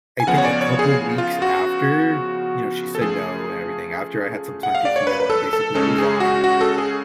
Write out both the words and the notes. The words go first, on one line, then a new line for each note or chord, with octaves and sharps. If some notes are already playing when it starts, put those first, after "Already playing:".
I think a couple weeks after- you know, she said no and everything- after I had some time to heal and basically move on,
G#5
C#3 F3 B3 F#5
C#5
D5
C#5
G#4
F4
F#4
A4
C#3 F3 A3 G#4
F#5
F5
D5
C#5
B4
B4
A4
A4
C#3 G#3 C#4 A4
G#4
F#4
F#4
A4
G#4